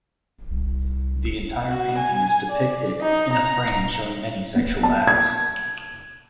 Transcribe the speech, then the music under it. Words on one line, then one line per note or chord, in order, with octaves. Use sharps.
The entire painting is depicted in a frame showing many sexual acts.
C2
F#4
G#5
D5
D#4
A#5
B3
A5
G#6